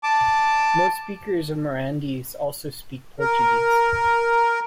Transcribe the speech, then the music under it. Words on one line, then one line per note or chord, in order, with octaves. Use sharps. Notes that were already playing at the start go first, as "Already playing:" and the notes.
Most speakers of Mirandese also speak Portuguese.
A5 D6
A#4